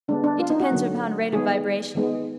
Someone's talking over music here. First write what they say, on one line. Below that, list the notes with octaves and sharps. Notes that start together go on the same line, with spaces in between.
It depends upon rate of vibration.
D3 G#3 B3 D4
D4
F4
D#4
F#4
D3 F#3 A#3
D#3 G#3 B3 G#4
D#3 G#3 B3